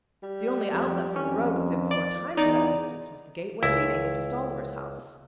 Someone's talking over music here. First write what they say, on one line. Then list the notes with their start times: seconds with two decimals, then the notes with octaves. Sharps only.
The only outlet from the road within four times that distance was the gateway leading into Stolliver's house.
0.23 G3
0.72 F2
1.16 F2 C#4
1.91 D5
2.37 E2 D#4 D5
3.63 C#2 E4